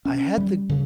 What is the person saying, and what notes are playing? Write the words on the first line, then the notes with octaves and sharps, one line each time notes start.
I had the
C#4
G3
C#3